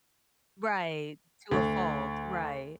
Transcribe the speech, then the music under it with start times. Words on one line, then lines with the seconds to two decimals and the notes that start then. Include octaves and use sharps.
Right, to a fault, right.
1.51 D2